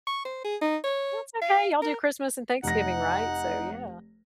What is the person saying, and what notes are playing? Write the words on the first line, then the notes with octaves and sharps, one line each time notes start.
That's okay. Y'all do Christmas and Thanksgiving, right? So, yeah.
C#6
C5
G#4
D#4
C#5
F5
A#4
F1 D#4 F#5 A#6